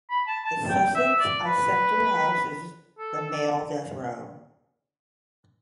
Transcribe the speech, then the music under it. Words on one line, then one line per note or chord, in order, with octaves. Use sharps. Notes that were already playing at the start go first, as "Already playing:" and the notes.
The Sussex I center houses the male death row.
B5
A5
A5
G5
E5
D5
B4
A4
A4
D5